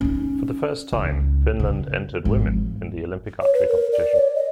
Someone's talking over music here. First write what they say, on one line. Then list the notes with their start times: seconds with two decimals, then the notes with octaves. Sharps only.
For the first time, Finland entered women in the Olympic archery competition.
0.01 C#4 D#4
0.92 C#2
1.59 C#3
2.25 G#1 F3
3.42 C#5
3.54 B4
3.68 A#4
3.92 D5
4.15 C#5
4.35 D#5